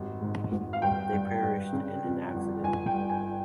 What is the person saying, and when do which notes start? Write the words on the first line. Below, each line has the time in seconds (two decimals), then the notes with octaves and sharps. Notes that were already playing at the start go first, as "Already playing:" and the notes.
They perished in an accident.
Already playing: G#1 G3
0.21 G#2
0.52 G#1
0.73 F5
0.82 G2 G5
1.13 G2
1.43 G2
1.73 C#3
2.04 F2
2.34 G1
2.64 G1 G#5
2.86 G5
2.94 G2
3.10 G#5